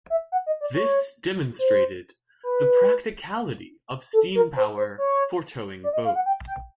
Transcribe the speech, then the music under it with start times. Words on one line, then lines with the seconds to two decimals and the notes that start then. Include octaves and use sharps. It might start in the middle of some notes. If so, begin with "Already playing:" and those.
This demonstrated the practicality of steam power for towing boats.
0.10 E5
0.32 F#5
0.46 D#5
0.61 D5
0.74 C#5
1.59 C5
2.43 B4
4.13 A4
4.35 A#4
4.57 C5
4.77 C5
4.98 C#5
5.84 D5
5.93 D#5
6.05 F5
6.15 F#5
6.26 G5
6.47 G5